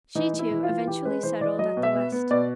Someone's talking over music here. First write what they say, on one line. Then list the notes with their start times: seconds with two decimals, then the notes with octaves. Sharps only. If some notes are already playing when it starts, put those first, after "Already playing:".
She, too, eventually settled at the West.
0.15 E3 D#4
0.33 E3
0.39 E4
0.51 E3
0.63 F4
0.69 E3
0.87 E3 G4
1.05 G#3 B4
1.23 E3 C5
1.41 E3 D5
1.59 F#3 D#5
1.77 B2
1.83 E5
1.95 B3
2.12 B3
2.31 B2 D5